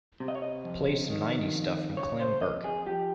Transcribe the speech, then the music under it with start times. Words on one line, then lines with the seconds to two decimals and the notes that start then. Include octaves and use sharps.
Play some nineties stuff from Clem Burke.
0.20 C3
0.28 D#5
0.35 C#5
0.42 D#5
0.65 F2
1.09 D#3
1.53 F2
1.97 C#3 C#5
2.20 C5
2.41 F2 D#5
2.64 G#4
2.86 F3 G4